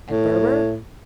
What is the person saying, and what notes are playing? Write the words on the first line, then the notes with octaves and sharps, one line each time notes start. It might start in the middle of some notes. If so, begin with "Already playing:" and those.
At Berber?
A2